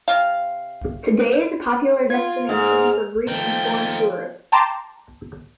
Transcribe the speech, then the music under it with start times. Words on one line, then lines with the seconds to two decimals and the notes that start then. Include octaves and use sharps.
Today is a popular destination for Greek and foreign tourists.
0.08 C3 F5
2.10 F4 G#6
2.49 G#2 F6
3.28 D#3 F3 A3 G5
4.52 G5 A5 A#5 C6 D6